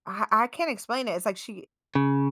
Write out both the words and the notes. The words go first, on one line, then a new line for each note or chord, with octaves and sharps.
I I can't explain it. It's like she
C#3